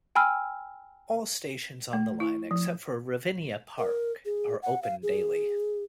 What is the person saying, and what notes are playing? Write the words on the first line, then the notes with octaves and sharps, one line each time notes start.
All stations on the line except for Ravinia Park are open daily.
G5 G#5 B5 E6 F6
A3
E4
F3
A#4
G#4
F#5
F5
G#4